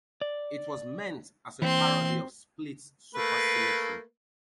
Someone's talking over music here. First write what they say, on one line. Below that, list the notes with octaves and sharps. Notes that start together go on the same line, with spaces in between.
It was meant as a parody of Split Supersymmetry.
D5
E3 A#3 C4 C6
A3 A#3 B4